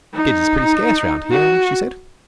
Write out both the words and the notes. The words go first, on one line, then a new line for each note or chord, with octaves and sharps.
"Kids is pretty scarce round here," she said.
D#4
F#4